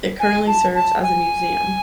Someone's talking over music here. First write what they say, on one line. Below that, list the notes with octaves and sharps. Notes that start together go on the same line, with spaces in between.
It currently serves as a museum.
G#5
A5
A5
G#5